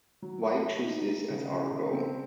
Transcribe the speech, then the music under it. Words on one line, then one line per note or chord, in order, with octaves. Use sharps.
Why choose this as our goal?
F#3
A3
A3
D#4
A3
C#3
C#4
C#3
C4